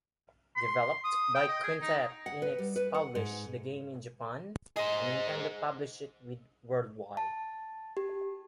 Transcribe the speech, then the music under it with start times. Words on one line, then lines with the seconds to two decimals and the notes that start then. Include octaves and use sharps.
Developed by Quintet, Enix published the game in Japan, and Nintendo published it worldwide.
0.56 C6
1.04 D#6
1.35 G5
1.48 D#5
1.64 G#4
1.81 D#4
2.26 F#5
2.42 B4
2.59 G3
2.76 B4
2.94 F#5
3.15 G#2
4.76 G#4 C5 D#5
7.17 A5
7.97 G4